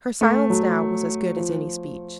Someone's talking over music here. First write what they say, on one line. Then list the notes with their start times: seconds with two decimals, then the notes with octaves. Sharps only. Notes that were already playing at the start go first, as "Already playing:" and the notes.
Her silence now was as good as any speech.
0.21 A3
0.50 F#3
1.36 F3